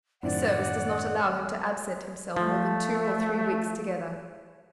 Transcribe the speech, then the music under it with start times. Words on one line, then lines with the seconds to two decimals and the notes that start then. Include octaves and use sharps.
"His service does not allow him to absent himself more than two or three weeks together."
0.23 F#2 A2 D#3 C4 D4 F4 D5 F#5
2.36 F3 A3